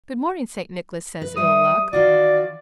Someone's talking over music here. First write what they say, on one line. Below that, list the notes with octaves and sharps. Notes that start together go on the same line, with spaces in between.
"Good-morning, St. Nicholas," says Ill-Luck.
B4
G3 E5 D#6
D#3 F4 F#4 D5